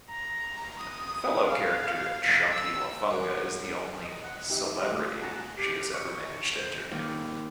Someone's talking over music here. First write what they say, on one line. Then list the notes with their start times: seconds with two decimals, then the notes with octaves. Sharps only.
Fellow character Chunky Lafunga is the only "celebrity" she has ever managed to interview.
0.10 A#5
0.79 D#6
1.48 F5
2.52 E6
3.11 F#2
4.04 D#5
4.24 F#5
4.50 D#4 G4 E5
4.78 G4 C5 D#5 F5
4.92 A3 F4
5.21 F#4 G#4 F#5 A5 A#5
5.58 G4
5.94 C#6
6.55 C5
6.91 D#2